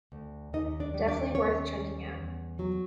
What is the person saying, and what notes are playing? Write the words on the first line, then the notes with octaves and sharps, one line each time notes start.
Definitely worth checking out.
D2
D#2 D#4 D#5
D4 D5
G3
D4 D5
D#2 C#4 C#5
G3
E2
F#3